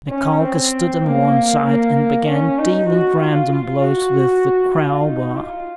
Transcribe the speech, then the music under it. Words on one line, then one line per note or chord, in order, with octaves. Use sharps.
Mikolka stood on one side and began dealing random blows with the crowbar.
C#4
C4
A#3
A#3
A#3
C#4
D#4
F#4
F4
F4
F#4
F4
D#4
F4